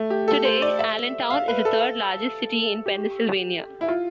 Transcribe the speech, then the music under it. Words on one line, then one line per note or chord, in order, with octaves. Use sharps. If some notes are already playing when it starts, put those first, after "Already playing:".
Today, Allentown is the third largest city in Pennsylvania.
Already playing: A3
G4
A4
C5
D5
E5
F5
B4
A4
G4
E4
F4